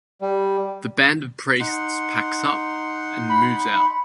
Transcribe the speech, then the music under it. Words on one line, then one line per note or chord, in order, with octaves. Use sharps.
The band of priests packs up and moves out.
G3
D#4 F#5 C6
B5